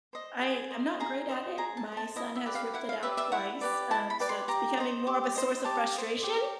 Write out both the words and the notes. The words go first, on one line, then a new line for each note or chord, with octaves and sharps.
I I'm not great at it. My son has ripped it out twice, um, so it's becoming more of a source of frustration,
C5 D#5
G#4
C5 D#5
G#4 A#5
C5 D#5
G#4 A#5
A5
C5 D#5
A5
E4 D#5
E5
G4 B4 D5
F5
E4 F#5
F5
G4 B4 D5 E5
E5
E4 F#5
G4 B4 D5
E4 A5
B5
G4 B4 D5
C6
G4 A#5
C5 D#5
G4
C5 D#5
G4 A5
C5 D#5
G4 G5